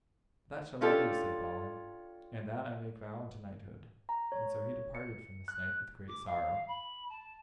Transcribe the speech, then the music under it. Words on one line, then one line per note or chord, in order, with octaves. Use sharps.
That shall I do, said Balin, and that I make vow unto knighthood; and so he departed from this knight with great sorrow.
C#4 D4 F4 G4 A4
A#5
C#5
C#7
F#6
D6
F5
B5
A5